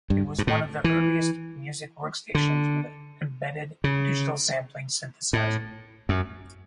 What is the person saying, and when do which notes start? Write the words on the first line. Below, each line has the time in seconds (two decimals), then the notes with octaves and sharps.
It was one of the earliest music workstations with an embedded digital sampling synthesizer.
0.10 G2
0.39 G2
0.47 A2
0.84 E3
2.35 D3
3.84 C#3
5.33 A2
6.09 F#2